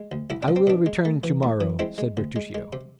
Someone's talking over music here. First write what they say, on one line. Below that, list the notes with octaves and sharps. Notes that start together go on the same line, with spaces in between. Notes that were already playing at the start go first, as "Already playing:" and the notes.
"I will return to-morrow," said Bertuccio.
Already playing: G#3
D2
C2 E4
D4
C2
C4
B2 D4
G#3
A3
E3
A2
E3
G#3 C4 E4
G#3
D2
G#3
G#3
C3